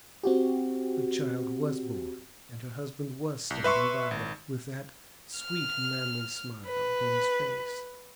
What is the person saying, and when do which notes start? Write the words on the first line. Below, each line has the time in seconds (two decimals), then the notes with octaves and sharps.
Her child was born, and her husband was standing by her with that sweet manly smile upon his face.
0.23 C4 F#4 G4
3.50 C2
3.64 B4 E5 C6 C#6
4.11 G#1
5.39 F6
6.67 B4